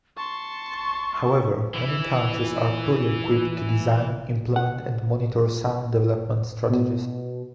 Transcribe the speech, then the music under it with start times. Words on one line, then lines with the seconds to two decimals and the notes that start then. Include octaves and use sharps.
However, many countries are poorly equipped to design, implement and monitor sound development strategies.
0.17 A5 C6 C#6
1.74 E3 E4
4.56 F#5
6.69 B2